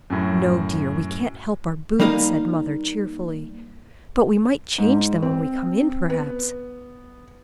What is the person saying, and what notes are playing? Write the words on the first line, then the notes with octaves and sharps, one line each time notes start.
'No, dear, we can't help our boots,' said mother, cheerfully, 'but we might change them when we come in, perhaps.
F#2 A2
G3 A#3 D#4 A#4 D#5 F5
G#2
C4
B3